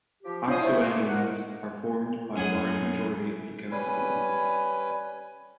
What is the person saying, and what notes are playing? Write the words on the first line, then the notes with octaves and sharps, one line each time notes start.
Oxoanions are formed by a large majority of the chemical elements.
F3 G4
D4 F4 C5 C#5 D#6
G#2 F#3 A3 E4 C5
A3 A#3
D#4 A#4 F#5
F#2 G#4 F#5
G3 C#4 B4 G#5